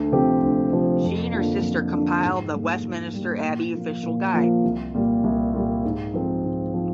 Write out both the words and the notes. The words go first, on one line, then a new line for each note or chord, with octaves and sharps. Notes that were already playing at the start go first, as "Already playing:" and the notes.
She and her sister compiled the "Westminster Abbey Official Guide".
Already playing: D2
C3 F3 C4 G4
D2
C3 F3 C4 G4
F2
D3 F3 A#3 D4
F2
D3 F3 A#3 D4
G#2
G3 A#3
G#2
G3 A#3
A#2
F3 A#3 F4
A#2
F3 A#3 F4
C2
A#2 G3
C2
A#2 G3
G#2
F3 C4
G#2
F3